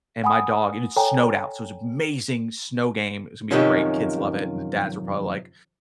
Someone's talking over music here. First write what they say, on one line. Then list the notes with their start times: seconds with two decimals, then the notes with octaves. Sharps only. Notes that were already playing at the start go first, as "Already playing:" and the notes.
and my dog and it snowed out, so it was amazing snow game. It was gonna be great, kids love it. The dads were probably like
0.24 F#5 G#5 B5 D#6
0.96 A4 C#5 G5 G#5 A#5
3.51 F#2 C3 D#3 F3 C#4